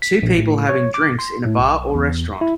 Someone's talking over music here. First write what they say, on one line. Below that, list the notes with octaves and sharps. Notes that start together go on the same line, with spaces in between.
Two people having drinks in a bar or restaurant.
B6
A#1
A2
C#5
D6
C6
A2
B1
E2
E4